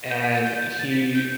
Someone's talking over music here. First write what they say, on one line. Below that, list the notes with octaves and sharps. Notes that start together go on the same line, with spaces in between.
And he
G6
B6
A6
G6
A6
B6
G6